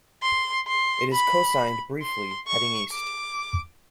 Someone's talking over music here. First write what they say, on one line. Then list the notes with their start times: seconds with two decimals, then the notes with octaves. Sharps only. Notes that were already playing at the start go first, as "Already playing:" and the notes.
It is co-signed briefly heading east.
0.22 C6
0.67 C6
1.13 B5
2.02 C6
2.47 C#6
2.92 D6